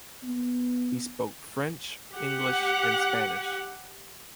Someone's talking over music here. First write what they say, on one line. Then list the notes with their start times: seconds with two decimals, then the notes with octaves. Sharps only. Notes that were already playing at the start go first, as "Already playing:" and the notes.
He spoke French, English, and Spanish.
0.23 B3
2.13 G4 F#5